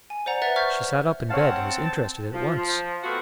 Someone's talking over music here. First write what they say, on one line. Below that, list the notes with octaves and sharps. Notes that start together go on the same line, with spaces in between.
She sat up in bed, and was interested at once.
G#5
C5 D5 F#5 A#5
B4 E5 F#5 F#6 A6 F7
C5 C#6 F6 G6 G#6 B6
C4 C#5 F5 F#5 A5
F3
F3
F3 A3 B3 C4 F4 F#4